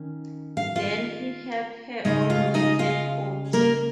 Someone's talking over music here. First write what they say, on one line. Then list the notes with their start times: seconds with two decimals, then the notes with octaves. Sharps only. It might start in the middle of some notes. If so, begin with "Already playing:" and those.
Then he helped her on with her coat.
Already playing: D#3 C#4
0.57 F5
0.76 F4 F5
2.05 C#3 G#3 C#4 D#4 D#5
2.30 F4 F5
2.54 D#4 D#5
2.79 F4 F5
3.53 A#3 A#4